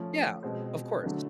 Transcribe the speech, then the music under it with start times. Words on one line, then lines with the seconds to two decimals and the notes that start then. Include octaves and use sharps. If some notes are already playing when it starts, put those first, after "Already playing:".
Yeah, of course.
Already playing: F3 A3 C#4
0.43 B2 G#3 C4
1.03 D3 F#3 A3